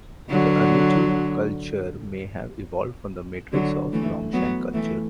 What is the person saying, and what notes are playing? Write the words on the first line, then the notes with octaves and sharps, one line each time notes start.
The Erlitou culture may have evolved from the matrix of Longshan culture.
D3 F#3
D3 F#3
E3 A3
F#3 B3
E3 A3